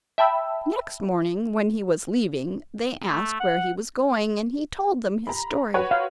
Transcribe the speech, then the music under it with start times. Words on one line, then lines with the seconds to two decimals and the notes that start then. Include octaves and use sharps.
Next morning when he was leaving they asked where he was going and he told them his story.
0.18 E5 G5 A5 B5 E6
3.10 A3
3.40 F#5
5.27 A#5 B5
5.74 F#4 B4 C#5
5.91 F5